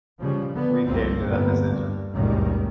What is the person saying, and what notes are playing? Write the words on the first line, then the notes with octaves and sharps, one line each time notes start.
we came to that decision.
C#3 F3 G3
D3 B3
G1 C2 F2 A#3 C4
G1 D#2 A2 D3 A#3 B3
G2
F#1 C#2 A#2 D#3 G3